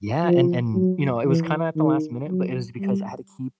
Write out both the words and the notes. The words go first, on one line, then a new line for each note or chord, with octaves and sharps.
Yeah. And and, you know, it was kinda at the last minute, but it was because I had to keep,
F3
F#3
E3
D#3
F#3
G3